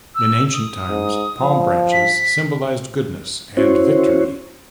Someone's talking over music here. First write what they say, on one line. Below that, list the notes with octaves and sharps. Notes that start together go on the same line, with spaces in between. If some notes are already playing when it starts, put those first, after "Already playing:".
In ancient times, palm branches symbolized goodness and victory.
E6
D#6
G#2
F3
B6
C#4 E4 F#4 C5 C#5